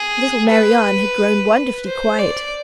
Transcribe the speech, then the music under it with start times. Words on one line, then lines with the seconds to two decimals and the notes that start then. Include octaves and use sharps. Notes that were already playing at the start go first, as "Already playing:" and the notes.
Little Marianne had grown wonderfully quiet.
Already playing: G#4
0.49 B4
1.85 C5
2.19 D5